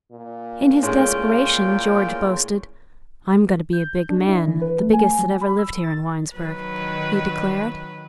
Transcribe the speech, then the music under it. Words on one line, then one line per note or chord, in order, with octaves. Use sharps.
In his desperation George boasted, "I'm going to be a big man, the biggest that ever lived here in Winesburg," he declared.
A#2
A2 G#3 C#4 F4 G5
G6
D4
E4
E3
B4
A3
G#5
F#3
B5
E6
A6
D#3 F#3 B4